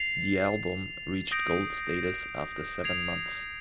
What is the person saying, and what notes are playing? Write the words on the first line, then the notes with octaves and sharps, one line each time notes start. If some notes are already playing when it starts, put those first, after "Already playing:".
The album reached Gold status after seven months.
Already playing: A6 C7 F7
D#6 G6 A#6 D7
G#6 C7 F7